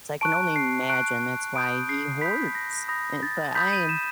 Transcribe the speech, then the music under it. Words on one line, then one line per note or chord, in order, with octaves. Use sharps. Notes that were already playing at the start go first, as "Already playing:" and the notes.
So I can only imagine that's why he hoards. And but I am
A5 C#6 F#6 D7
C7
A5 C#6 F#6 D7
B5 D#6 G6 D7
C7
B5 D#6 G6 B6
A#6
B5 D#6 G6 A#6
A6
B5 D#6 G6 B6
D#7
E7